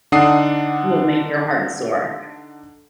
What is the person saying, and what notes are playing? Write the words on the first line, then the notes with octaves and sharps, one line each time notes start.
will make your heart soar,
D3 D4 D#4 F#5 D#6 C7